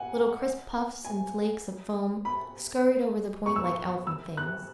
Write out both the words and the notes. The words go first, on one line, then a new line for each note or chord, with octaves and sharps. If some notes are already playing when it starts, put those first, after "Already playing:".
Little crisp puffs and flakes of foam scurried over the point like elfin things.
Already playing: F#5 G#5
G#5
B5
C#6
E6
C#6
E6
F#6